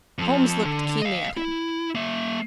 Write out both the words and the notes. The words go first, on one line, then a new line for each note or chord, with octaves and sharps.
Holmes looked keenly at him.
F2 F3
D3
D#5 F5
E4
A#3 E5